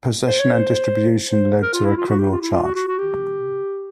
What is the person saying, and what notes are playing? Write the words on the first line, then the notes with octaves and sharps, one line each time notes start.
Possession and distribution lead to a criminal charge.
C5
C#5
C5
C5
A#4
F4
E4
F4
F#4
G4
F4
E4
F4
F#4
F#4
F#4
G4